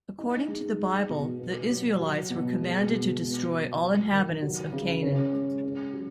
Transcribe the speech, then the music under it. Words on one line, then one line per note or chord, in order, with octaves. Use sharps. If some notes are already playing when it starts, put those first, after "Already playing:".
According to the Bible, the Israelites were commanded to destroy all inhabitants of Canaan.
D#4
G#3
G#3
B2
B3
F#3
F#3
B2
G#3
B2
B3
F#3
F#3
D#3
F#3
C#3
C#4
G#3
C#4
F#3